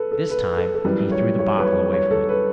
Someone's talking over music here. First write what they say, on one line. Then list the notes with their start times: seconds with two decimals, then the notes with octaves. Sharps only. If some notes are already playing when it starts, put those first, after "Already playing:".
This time he threw the bottle away from it.
Already playing: A4 B4
0.12 A4
0.30 B4
0.57 A4
0.74 A4
0.84 F#2 E3 G3 B4
1.12 C#5
1.39 C#5
1.58 B4
1.66 C#5
1.92 C#5
2.11 A4
2.29 B4